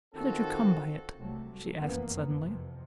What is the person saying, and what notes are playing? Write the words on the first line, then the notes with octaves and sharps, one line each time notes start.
"How did you come by it?" she asked, suddenly.
D#3 C4 F4 F#4 A4
C2 C3 F#3 G3 A3
F1 F#2 E3 A#3 B3 C#4
F2 C3 F3